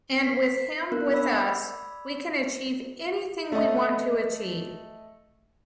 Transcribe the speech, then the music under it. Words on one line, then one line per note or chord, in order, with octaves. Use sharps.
And with him with us we can achieve anything we want to achieve.
B6 C7
B3 D4 A#4 F#6
D5 B5 E6
A3 D#5